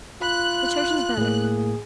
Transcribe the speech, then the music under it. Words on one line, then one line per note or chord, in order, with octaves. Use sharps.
The church is better.
F4 B5 F#6
A2 A#3 G#4